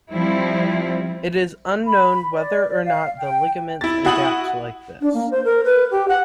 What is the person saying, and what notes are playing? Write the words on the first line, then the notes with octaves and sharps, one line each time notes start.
It is unknown whether or not the ligaments adapt like this.
F3 G3 C4 E4
B5
D5
F5
G5
E4 A6
E4 F#4 F#5 D#6 F#7
D4
A#3
C5
A#4
B4
G4
F#5